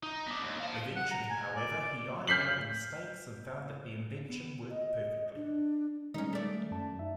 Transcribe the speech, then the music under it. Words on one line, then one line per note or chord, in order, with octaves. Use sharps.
Eventually, however, he ironed out the mistakes and found that the invention worked perfectly.
D#4
B3 D4
D#2
F5 A5
F#5
A#5
G#5
D5
D5
F6 G6 B6 C7 F#7
B3
D#5
D4
D#3 G3 G#3 C#4 D#4
A3 D5
F#2 A5
D#4 E5